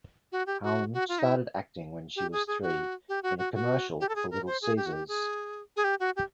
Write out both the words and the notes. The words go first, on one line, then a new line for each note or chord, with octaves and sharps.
Haun started acting when she was three, in a commercial for Little Caesars.
F#4
G4
F#4
F#4
F4
D#4
E4
G4
G#4
G#4
F#4
G4
F#4
F#4
F#4
G4
A4
G#4
A#4
C5
G#4
G4
F#4
G4
G#4
G#4
G4
F#4
G4